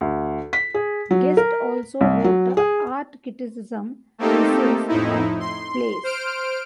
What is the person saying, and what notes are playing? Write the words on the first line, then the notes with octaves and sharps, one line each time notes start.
Guest also wrote art criticism, essays, and plays.
D2
B6
G#4
F#3
A#4
C2
F#3
G#4
A3 A#3 C4 D#4 G4 A4
F2 A2 D#4 E4
C6
C5 F6 D7